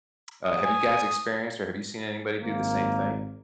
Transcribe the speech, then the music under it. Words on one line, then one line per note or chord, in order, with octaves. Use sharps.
Uh, have you guys experienced or have you seen anybody do the same thing?
D#6
G#5
G#1 A#3